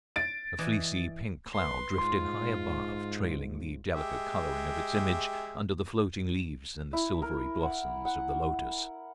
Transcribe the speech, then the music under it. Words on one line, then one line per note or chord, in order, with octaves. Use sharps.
A fleecy pink cloud drifted high above, trailing the delicate colouring of its image under the floating leaves and the silvery blossoms of the lotus.
A6 D7
E3 D5 D#5
B4 C6
G#2 F4 C6
G#3 G4 E5
E4
A#4
F#5
F#5